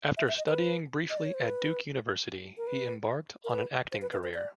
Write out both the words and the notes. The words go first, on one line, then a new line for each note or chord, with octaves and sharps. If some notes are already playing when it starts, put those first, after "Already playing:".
After studying briefly at Duke University, he embarked on an acting career.
E5
E5
D#5
B4
D#5
D5
C#5
C5
B4
A#4
B4
A#4
B4
C5
B4
B4
C5
D5